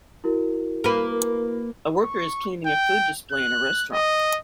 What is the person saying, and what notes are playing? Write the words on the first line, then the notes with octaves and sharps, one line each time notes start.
A worker is cleaning a food display in a restaurant.
E4 F#4 A#4
A#3 B4
C#6
G5
F#6
D#5